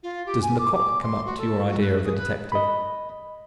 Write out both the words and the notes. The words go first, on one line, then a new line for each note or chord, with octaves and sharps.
"Does Lecoq come up to your idea of a detective?"
F4
G4
G#5
D6
D6
C6
F#4
A4
F#4
B4
G#4
B4
D#5 B5